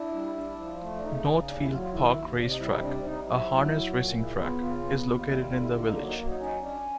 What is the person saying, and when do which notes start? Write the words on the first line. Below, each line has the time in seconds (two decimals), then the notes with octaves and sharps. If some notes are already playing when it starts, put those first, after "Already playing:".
Northfield Park Race Track, a harness racing race track, is located in the village.
Already playing: D4 E4
0.14 G3
0.37 D4
0.59 F3
0.82 A3
0.96 D4
1.04 C#3 D#4
1.26 C#3
1.48 D#2 D4
1.60 E4
1.71 F#3 F4
1.82 F4
1.93 D#3 E4
2.16 D#2
2.38 C3 D4
2.49 D#4
2.60 G3 E4
2.71 D#4
2.82 C3 D4
3.05 C3 D#4
3.27 F#3 E4
3.50 F#3
3.72 F#3
3.94 A#2
4.17 C#3 E4
4.39 B3 F4
4.61 C#3 F4
4.83 B3
5.06 D#2 F4
5.18 F4
5.28 G3 E4
5.39 F4
5.50 D3 F4
5.62 E4
5.73 A#3 E4
5.84 D#4
5.95 F#3 D4
6.06 D#4
6.18 F#3
6.29 D#4
6.40 C#4 D#4
6.62 C#4 D4